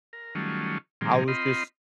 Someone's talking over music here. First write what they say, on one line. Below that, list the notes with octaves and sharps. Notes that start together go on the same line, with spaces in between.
I was just
A#4
D#3 F#3 G3 A3 C#4 F4
A#2 D#3 F3 G3 C4 G#4
C4 F4 D#5 B5 C6